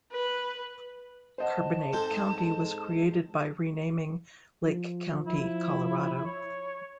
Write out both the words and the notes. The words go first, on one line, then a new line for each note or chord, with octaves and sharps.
Carbonate County was created by renaming Lake County, Colorado.
B4
C5 D#5 F#5 A5
G#2 C4 A4
F3
E4
C#5